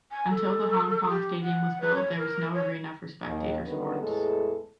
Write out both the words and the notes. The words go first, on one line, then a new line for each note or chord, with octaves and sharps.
Until the Hong Kong Stadium was built, there was no arena for spectator sports.
G#5
A4
G4
F#5
B4
C#5
A#4
C#5
D#2
F#2 D3 D#3 G3 B3
E2 A2 G#3 A4